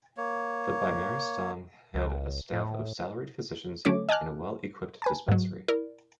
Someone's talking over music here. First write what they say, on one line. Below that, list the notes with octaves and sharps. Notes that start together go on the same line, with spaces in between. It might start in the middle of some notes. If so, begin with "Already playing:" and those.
The bimaristan had a staff of salaried physicians and a well equipped dispensary.
A#3 C#5
C#2
A2
D3 F#3 A3 C#4 C#5 D6
D#5 G#5 A5 D6 F6 F#6
B4 G#5 A5
G#2 F#3
E4 A#4 D5